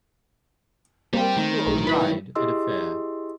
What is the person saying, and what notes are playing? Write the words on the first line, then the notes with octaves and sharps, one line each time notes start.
People on a ride at a fair.
G3 A#3 C4 G4 C5
D#3 A3
B1 A2 F#3 G#3
E4 B4 B5
E4 G4 G#4 D#5 C6 E6